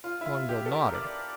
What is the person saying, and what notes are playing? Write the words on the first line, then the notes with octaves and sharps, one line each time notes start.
Longbill nodded.
F4
E4
F4
G4
A4
A#4
D5